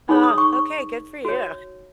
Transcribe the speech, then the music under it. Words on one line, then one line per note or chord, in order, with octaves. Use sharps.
Oh, okay, good for you.
D#4 G#4 C#5 B5
D#6
C#6
C#6
F#4 C#5